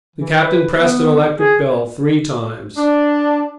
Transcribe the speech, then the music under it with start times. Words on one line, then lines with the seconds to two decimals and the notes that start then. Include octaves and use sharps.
The captain pressed an electric bell three times.
0.16 E3
0.42 B4
0.77 B3
1.38 G#4
2.76 D4